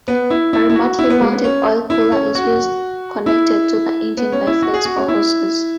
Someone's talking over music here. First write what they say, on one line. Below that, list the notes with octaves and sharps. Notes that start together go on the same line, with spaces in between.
A remotely mounted oil cooler is used, connected to the engine by flexible hoses.
B3
E4
E4
E4
F#4
E4
B3
G#3
B3
C#4
E4
C#4
F#4
E4
B3
C#4
E4
F#4
G#4
F#4
C#4
E4